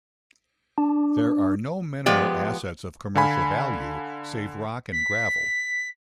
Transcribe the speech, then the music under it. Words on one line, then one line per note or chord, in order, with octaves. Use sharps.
There are no mineral assets of commercial value save rock and gravel.
D4
F3 G#3 B3 G4 D5
D3 F5 G#5 B5
B6